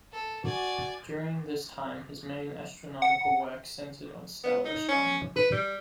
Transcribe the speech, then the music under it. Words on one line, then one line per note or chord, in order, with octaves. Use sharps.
During this time his main astronomical work centered on stellar astronomy.
A4
F#4 D5 G#5
F#5
B3
D#4
C#4
B4
G3